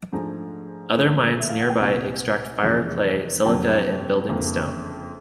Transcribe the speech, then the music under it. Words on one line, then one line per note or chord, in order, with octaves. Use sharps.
Other mines nearby extract fire-clay, silica and building stone.
G#2 F3 A3 D4 G#5 A#5
G#2 F3 A3 C#4
E5
F5
F#5
G5
C2 A#2 G3 C4 F#5 G#5
F1 E2 C#3 F3 G#3
F1 F2 D3 F#3 A#3 G5 A5
F#1 F2 D3 F3 A#3